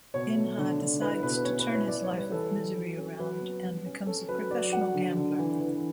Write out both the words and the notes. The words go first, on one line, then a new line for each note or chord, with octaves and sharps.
In-ha decides to turn his life of misery around and becomes a professional gambler.
B2 C#5
A3
D3
D3
E4 B4
B2 B4
C#4 C#5
B4
E4
C#5
E4 D5
C#5
G3
B4
E3 A4
G3
F#3
C#4
F#3 B4
B3
G3
C#4
C#4 A4
F#3 B4
F#3 D5
F#3 F#5
D3
D3
E3
E3